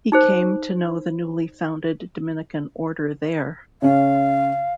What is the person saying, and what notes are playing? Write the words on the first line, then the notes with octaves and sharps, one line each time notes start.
He came to know the newly founded Dominican Order there.
D#4 G#4 C5
C#3 C#4 F5